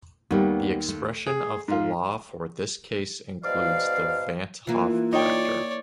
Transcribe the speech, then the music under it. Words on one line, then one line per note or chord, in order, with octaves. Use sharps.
The expression of the law for this case includes the van 't Hoff factor.
D#2 D#3 G3 B3
A3
G#4
G#2 F4
G#2 B2 D5 F5
E3 A#3 F4
D#4 C#5 D5 G5